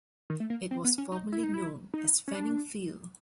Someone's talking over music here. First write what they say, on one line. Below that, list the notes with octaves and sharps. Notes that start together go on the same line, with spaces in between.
It was formerly known as Fanning Field.
D#3
A3
A#3
C4
B3
C#4
D#4
E4
D#4
E4
D#4
C#4
D4